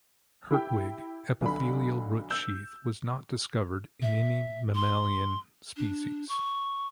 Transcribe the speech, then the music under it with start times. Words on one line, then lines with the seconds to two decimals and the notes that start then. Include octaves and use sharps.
Hertwig epithelial root sheath was not discovered in any mammalian species.
0.51 E4 G4 G5
1.41 B1 D3 B5
2.31 E6 G6
4.02 E5
4.75 C6
5.77 D4
6.29 C#6